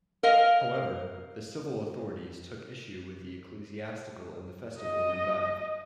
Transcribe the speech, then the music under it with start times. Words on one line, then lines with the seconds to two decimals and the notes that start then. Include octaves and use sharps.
However, the civil authorities took issue with the ecclesiastical and the festival revived.
0.23 A#4 D#5 F5
4.80 D#5